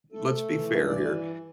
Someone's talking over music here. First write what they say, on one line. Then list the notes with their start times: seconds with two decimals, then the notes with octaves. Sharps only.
let's be fair here,
0.12 A3 A4
0.31 A3
0.50 E3
0.68 G2
0.88 E3 D5